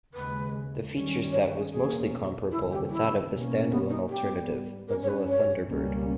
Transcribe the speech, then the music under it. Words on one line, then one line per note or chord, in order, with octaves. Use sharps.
The feature set was mostly comparable with that of the stand-alone alternative, Mozilla Thunderbird.
D#2 C#3 G#3 B4
G2 D#3 G3 C#4
C#5
B4
G#4
E2 B2 A#3 C#4 G#4
D#2 C#3 G3 C#4 E4
G4
E4
B2 A#3 C#4
B3
D#4
G#2 G3 B3 G4
G2 G3 C#4 A#4
C#5
B4
C#5
C#2 B2 G3 A#3 C#4